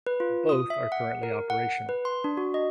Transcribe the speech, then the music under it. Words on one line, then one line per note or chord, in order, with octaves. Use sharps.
Both are currently operational.
B4
F4
D#6
E5
F#5
A#4
F#5
B4
C6
D4
F#4
D#5